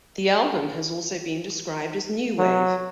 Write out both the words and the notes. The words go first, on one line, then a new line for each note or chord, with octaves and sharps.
The album has also been described as new wave.
F#3